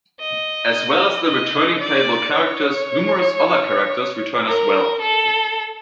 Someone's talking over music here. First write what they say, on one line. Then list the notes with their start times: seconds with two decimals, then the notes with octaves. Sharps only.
As well as the returning playable characters, numerous other characters return as well.
0.20 D#5
1.27 D#5
1.80 D5
2.33 C#5
4.48 A#4
5.02 A4